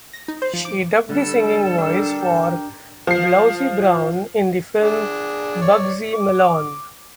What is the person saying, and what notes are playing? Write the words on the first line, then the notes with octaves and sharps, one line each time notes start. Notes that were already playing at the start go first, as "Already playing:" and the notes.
She dubbed the singing voice for Blousey Brown in the film "Bugsy Malone".
A#6
D#4
C5
F3
D6
D3 G3 A4
D4 G4 A#4 G5 E6
F3 C7
D4 G#4
C#5 D5
D6